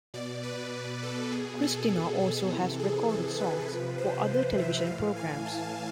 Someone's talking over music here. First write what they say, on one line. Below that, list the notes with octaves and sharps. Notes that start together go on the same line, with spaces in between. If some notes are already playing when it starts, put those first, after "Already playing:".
Cristina also has recorded songs for other television programs.
B2 D5
B4
A4
B2 G#4
A4
A4
C3 E3
G#4
A4
B4
C3 F3 B4
C5
E5
A2 E3 F5
G#5
A5